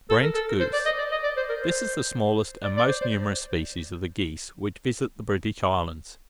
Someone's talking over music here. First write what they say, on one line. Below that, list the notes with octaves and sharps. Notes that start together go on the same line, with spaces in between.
THE BRENT GOOSE.--This is the smallest and most numerous species of the geese which visit the British islands.
A4
A#4
A4
A#4
C5
D5
D#5
D5
D#5
D5
C5
A#4
C5
D5
D5
C5
C5